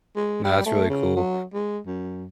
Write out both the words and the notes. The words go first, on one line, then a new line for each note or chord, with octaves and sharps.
Nah, that's really cool.
G#3
G3
A3
C#3
F#3
G#3
F#2